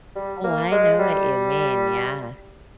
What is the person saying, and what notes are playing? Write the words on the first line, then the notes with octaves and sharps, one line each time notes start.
Oh, I know what you mean, yeah.
G3
A#3
G#3
G3